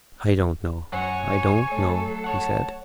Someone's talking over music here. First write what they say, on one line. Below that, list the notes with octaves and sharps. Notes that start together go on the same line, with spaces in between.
"I don't know--I don't know," he said.
F#2 F#3 C#5 F#5 G#5
F#3 A3 A4 C#5
C#5 F#5 A5